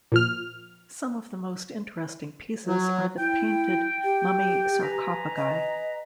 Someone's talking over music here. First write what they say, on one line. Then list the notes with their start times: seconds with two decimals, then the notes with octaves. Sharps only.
Some of the most interesting pieces are the painted mummy sarcophagi.
0.12 A#2 F3 F6
2.67 F#3
3.19 E4 G5
4.04 G4
4.82 B4 G#5 A#5
5.37 D#5